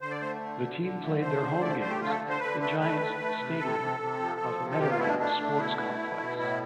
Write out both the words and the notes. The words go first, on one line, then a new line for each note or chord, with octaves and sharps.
The team played their home games in Giants Stadium of the Meadowlands Sports Complex.
D3 C5
D5
A3 C5
D3
D3
D3
A3
A3 C5
D3
A3 D5
C5
A3 C5
G4
D3 F4
A4
D3
C5
D3 B4
A3 B4
A3 B4
A3
A3
C3
C3 A4
C3
C3
F3
F3
C3
A4
B2 G4
F4
A3 E4
D4
A3 D4
A3
B2 E4
A3
B2
B2
A2 E4